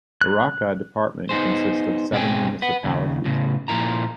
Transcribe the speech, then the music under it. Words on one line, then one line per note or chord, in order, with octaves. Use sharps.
Arauca department consists of seven municipalities.
F#6
B3 D#4 G#4 C5
B2 C4 G#4 D5 G5 G#5
B4 F#5
D#2 C#3
A2 C#3
A#2 F3 A#3 E4 A#5